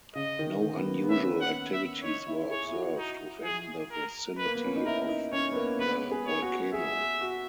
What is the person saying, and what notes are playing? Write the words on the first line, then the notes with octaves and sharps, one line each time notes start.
No unusual activities were observed within the vicinity of the volcano.
C#3 D#5
D#3
D#3
B3
A#3
B3
C#4 E5
F#5
E5
D#4 C#5
E4
G#4 C#5
E4
F#4
D#4
G#4
A#4
B4
A#3
B3
C#4
D#4
E4 A#4
D#4
C#4 C#5
B3
A#3
B3 B4
G#4
C#5
F#4
G#4 E5
F#4